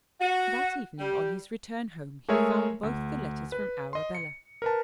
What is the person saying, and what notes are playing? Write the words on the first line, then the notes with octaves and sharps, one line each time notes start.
That evening on his return home he found both the letters from Arabella.
F#4
G3
G#3 A3 G#4 A#4 C#5 E5
D2
B4
D#5 C6
C#7
A#4 B4 A5